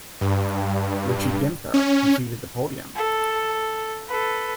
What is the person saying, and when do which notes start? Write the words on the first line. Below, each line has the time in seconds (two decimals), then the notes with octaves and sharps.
Richie Ginther completed the podium.
0.21 G2
1.74 C#4
2.96 A4
4.08 A4 B4